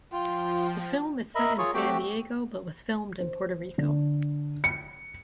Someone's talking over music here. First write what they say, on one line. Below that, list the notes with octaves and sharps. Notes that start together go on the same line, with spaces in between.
The film is set in San Diego but was filmed in Puerto Rico.
F3 F4 G5
A#4 D#5 E5 B5
F4 G#4 C#5 C#6
A3 C4 F#4 G4 G5
C5
D3
C#7